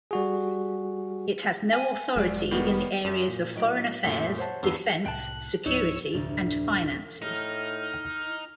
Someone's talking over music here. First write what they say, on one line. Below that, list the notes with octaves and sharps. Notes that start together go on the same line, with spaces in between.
It has no authority in the areas of foreign affairs, defense, security, and finances.
G3 F#4 G#4
G#5
F1 A#1 F#3 G#3 D5
A2 D#3 G3 B3
F#2
A#2
A2 F#3 D#5 D7
F#2 A#2 A3
C5 C#5 F#5 A5
E2 G2 B3 E6 C7
C2 A2 G5 A5 F#6
C#2 G#2 F3 D#4 C#5 E6
F1 D2 A2 D4 A6
A2 D#4 F6